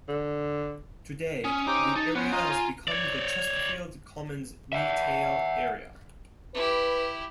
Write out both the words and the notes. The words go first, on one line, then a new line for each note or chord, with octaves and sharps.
Today, the area has become the Chesterfield Commons retail area.
D3
C#4 D#6
C#4 D#4 G4 C5 A#5 D6
D#4 A5
B3 C#4 C5 C#5 F#5
F4 D#5 A#5
G#5
C#5 D5
E5 F#5
E4 G4 B4